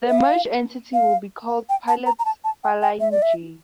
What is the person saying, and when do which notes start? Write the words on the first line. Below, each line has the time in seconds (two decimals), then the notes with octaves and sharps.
The merged entity will be called Pilot Flying J.
0.09 E5
0.18 F5
0.94 F5
1.69 G5
1.88 A5
2.06 A#5
2.19 A#5
2.25 A5
2.44 A5
2.64 G5
2.82 G5
3.00 E5
3.11 D5
3.22 E5